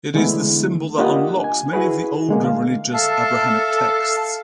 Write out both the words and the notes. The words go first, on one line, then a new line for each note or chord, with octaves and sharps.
It is the symbol that unlocks many of the older religious Abrahamic texts.
D3 E3 G#3 A3 B3 E4
A#3 D4 F4 G4 D#5 F#5
G#5
E4 F#4 G#4 B4
D3 G#3 A#3
F5
A4 E5 F5 A5